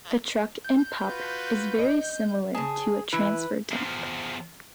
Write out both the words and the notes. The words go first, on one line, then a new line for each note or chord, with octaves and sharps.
A "truck and pup" is very similar to a transfer dump.
G6
F4 F#4 B4
D#5
C#3 G#4 A5
E3 E4 B4
E2 F3